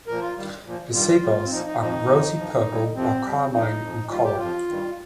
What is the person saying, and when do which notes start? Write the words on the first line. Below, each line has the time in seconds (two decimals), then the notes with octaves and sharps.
The sepals are rosy purple or carmine in color.
0.07 A#2 F3 A#4
0.21 F4
0.37 G2 D#3 G3
0.65 A#2 F3
0.94 G2 D#3 G3 F4
1.22 D#2 D#3 G3
1.44 C4
1.51 A#2 F3 D#4
1.66 D#4
1.80 F2 F3 D#4
2.08 F2 F3
2.38 G2 F3
2.67 A#2 G3
2.95 F2 C3 F3 C4
3.24 F2 C3 G3
3.52 G2 F3 D#4
3.81 F2 F3
4.10 D#2 D#3 G3 F4
4.24 G4
4.39 F2 F3 F4
4.68 G2 D#3 G3